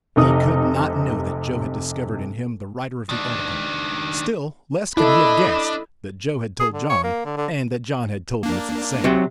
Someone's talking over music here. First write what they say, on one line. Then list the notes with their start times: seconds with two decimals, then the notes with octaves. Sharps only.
He could not know that Joe had discovered in him the writer of the article, still less could he have guessed that Joe had told John, and that John had told Mrs. Sam.
0.16 F1 C3 D#4 D#6
3.09 D#3 D4
4.97 D4 E4 A4 D#5 B5
6.60 G#4
6.72 D3
6.90 C#5
7.04 A#3
7.25 D3
7.37 D3
8.43 A#3 D4
9.04 C3 F#3